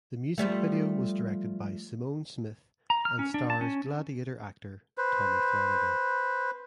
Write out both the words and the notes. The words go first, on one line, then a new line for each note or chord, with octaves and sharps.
The music video was directed by Simone Smith and stars "Gladiator" actor Tommy Flanagan.
F3 G3 A3
A#5
F6
C#4
D4
A5
C#4
B4 C5